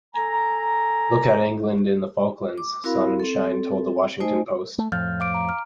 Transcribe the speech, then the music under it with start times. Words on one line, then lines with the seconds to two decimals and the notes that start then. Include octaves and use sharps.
"Look at England in the Falklands", Sonenshein told the "Washington Post".
0.15 A4 G#5 A#5
2.58 D6
2.84 C4 E4 F#4 A#4 F5 B5
3.20 C4 A4
4.20 A3 D#4 C5 D#5 G#5
4.78 A3
4.92 F2 A2 F3 F6 G6 A6
5.20 F5 D6 D7
5.34 A#5
5.49 F6